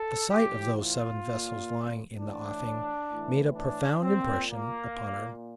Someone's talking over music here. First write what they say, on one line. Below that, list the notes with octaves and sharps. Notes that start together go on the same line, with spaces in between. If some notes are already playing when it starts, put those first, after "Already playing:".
The sight of those seven vessels lying in the offing made a profound impression upon our minds.
Already playing: A4
A2 E3 G4
F4
A#2
A2 E3 D4
A2 E3
D4
A#2 C4
A#3
A#2